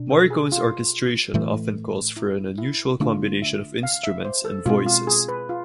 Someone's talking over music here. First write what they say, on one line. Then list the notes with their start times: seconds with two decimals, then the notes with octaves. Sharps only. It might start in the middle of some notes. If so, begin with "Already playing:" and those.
Morricone's orchestration often calls for an unusual combination of instruments and voices.
Already playing: B2 D4
0.11 A4
0.30 G#4
0.52 F4
1.34 A2 E3 A3
2.17 E4
2.58 E4
3.00 D3 A3 D4 F4
3.42 E5
3.83 F5
4.03 E5
4.25 C5
4.45 A4
4.66 B2 G#3 C4 F4
4.86 F4
5.07 G#4
5.28 B4
5.49 F4